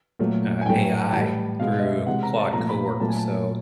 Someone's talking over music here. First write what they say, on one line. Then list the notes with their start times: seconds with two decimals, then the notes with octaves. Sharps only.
uh, AI through Claude Cowork, so,
0.19 A#2 F#3 A3
0.61 G#5
0.66 A2 F#3 A3 G5
1.12 A2 E3 G3 A5
1.60 B2 G#3 F5
1.79 D#5
1.83 E5
2.07 C3 E3 G#3 F#5
2.23 A#5
2.38 A5
2.53 A#2 F3 A3 A#5
2.69 B5
2.85 A#5
3.00 A#2 F#3 A3 A5
3.08 G#5
3.17 A5